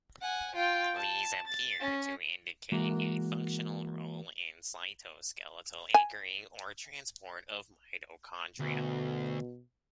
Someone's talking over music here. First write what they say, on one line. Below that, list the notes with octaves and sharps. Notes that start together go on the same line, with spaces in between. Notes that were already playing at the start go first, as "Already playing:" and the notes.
These appear to indicate a functional role in cytoskeletal anchoring or transport of mitochondria.
F#5 G#5
F4 G5
A5
A6
C#4
E3 G#3 A#3 F#4 A#4
G#5
D2 B2